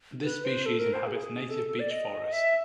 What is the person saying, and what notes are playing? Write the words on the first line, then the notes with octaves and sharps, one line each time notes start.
This species inhabits native beech forest.
B4
C5
A4
A#4
C5
G#4
A4
D5
D#5
E5